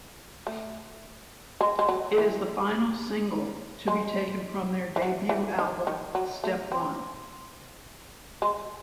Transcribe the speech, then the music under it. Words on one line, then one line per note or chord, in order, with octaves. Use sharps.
It is the final single to be taken from their debut album, "Step One".
A3
G#3
G#3
F#3
E3
G#3
E3
F#3
E3
D#3
D#3
F#3
A3
C4
G#3